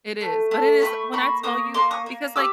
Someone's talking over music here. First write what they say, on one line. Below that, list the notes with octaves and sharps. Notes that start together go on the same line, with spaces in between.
it is. But it is when I tell you because, like,
A3
A3
A3 B5 C#6
A#3 B5 C#6
A#3 C#6 D#6
A#3 C6 D6
C#6 D#6
A#3
G4 D6 E6